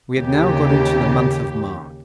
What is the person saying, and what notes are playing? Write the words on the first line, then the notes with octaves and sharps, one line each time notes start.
We had now got into the month of March.
D#2 C#3 G4